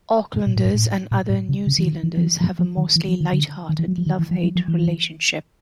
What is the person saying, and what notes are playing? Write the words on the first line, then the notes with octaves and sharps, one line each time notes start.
Aucklanders and other New Zealanders have a mostly light-hearted "love-hate" relationship.
A#2
A2
G#2
A2
A#2
A2
C#3
C#3
E3
D#3
E3
F3
E3
F3
F3
D#3
E3
F3
D#3
D3
D#3
E3
F#3
F3
D#3
E3
F3
F#3
F3
E3